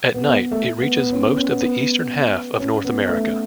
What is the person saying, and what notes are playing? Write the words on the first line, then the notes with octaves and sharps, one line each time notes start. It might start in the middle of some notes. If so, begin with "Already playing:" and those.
At night, it reaches most of the eastern half of North America.
B3
B3
B3
A3
A3
B3
B3
C#4
B3
C#4
B3
B3
C#4
B3
A3